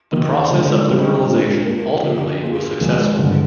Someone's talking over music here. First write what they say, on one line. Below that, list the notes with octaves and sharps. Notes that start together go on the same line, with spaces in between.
The process of liberalization ultimately was successful.
D#3 A#3 D#4
D3 F3 G#3
D3 G3 C4 D#4 G4
A#2 G#3 D4
A#3 F4 A#4
D3 F3 A#3 D#4 G4
A#3 F4 G#4
F2 D#3 G#3
G2 D3 G#3